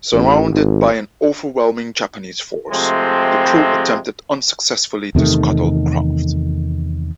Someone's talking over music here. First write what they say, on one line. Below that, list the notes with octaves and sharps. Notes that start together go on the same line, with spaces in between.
Surrounded by an overwhelming Japanese force, the crew attempted unsuccessfully to scuttle the craft.
A1
G#1
C3 F3 G#3 A3 C4
E2 C3 D#3 A3